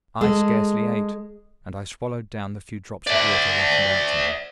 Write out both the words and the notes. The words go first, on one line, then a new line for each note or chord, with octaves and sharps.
I scarcely ate, and I swallowed down the few drops of water rationed out to me.
G#3 G#4 A4
D5 E5